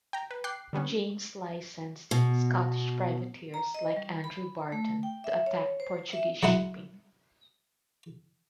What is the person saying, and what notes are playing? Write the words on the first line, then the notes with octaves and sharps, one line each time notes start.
James licensed Scottish privateers like Andrew Barton to attack Portuguese shipping.
G5 A#5
B4
G5 D6 F#6 C7
D3 G3 B3 C#4
B2
A#5
D#5
G3
B5
A3
G5
E5
C#5
C5
E5
F#3 G#3 E4 F#5